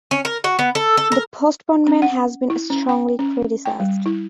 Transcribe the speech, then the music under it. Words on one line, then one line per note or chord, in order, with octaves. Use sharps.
The postponement has been strongly criticised.
C#4
A#4
F#4
B3
A4
A4
A#4
C#4
F#5
E4
C#4
G5
C#4
G5
G3
E4